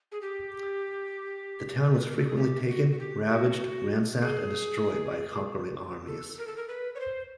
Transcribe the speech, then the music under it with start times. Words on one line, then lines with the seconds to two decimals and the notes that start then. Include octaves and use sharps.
The town was frequently taken, ravaged, ransacked and destroyed by conquering armies.
0.12 G#4
0.22 G4
1.95 B4
2.06 A#4
2.17 A4
2.27 G#4
2.37 G4
2.68 F#4
2.91 F#4
2.99 G4
3.29 F#4
4.21 G#4
6.07 A4
6.38 A#4
6.47 A4
6.57 A#4
6.68 B4
6.95 C#5
7.00 C5